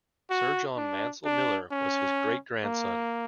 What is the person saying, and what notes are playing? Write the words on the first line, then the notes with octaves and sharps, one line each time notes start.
Sir John Mansel Miller was his great-grandson.
F#4
D4
D4
C#4
A#3